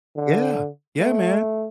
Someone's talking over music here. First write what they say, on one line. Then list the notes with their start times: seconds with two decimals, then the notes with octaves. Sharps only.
Yeah. Yeah, man.
0.16 D3
0.98 A3